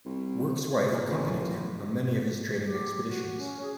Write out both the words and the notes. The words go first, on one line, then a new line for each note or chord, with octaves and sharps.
Work's wife accompanied him on many of his trading expeditions.
C2
A#2
A1
G4
F#4
C#4
G#4